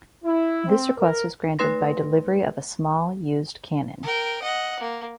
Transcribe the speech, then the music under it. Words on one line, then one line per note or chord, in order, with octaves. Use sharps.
This request was granted by delivery of a small used cannon.
E4
C4
A#4
A3 D#4 B4 C6 A#6
A#4 G5
D#5 F#5
A#3